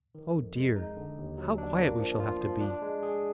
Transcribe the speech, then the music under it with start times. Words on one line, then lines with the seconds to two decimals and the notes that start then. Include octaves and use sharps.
Oh dear, how quiet we shall have to be!
0.15 D#3
0.36 F2
0.56 G#3
0.76 D#4
0.97 D3
1.18 D#2
1.38 F#3
1.58 D4
1.79 A#3
1.99 F3
2.20 F4
2.41 F3
2.61 D4
2.82 G#3
3.03 G#4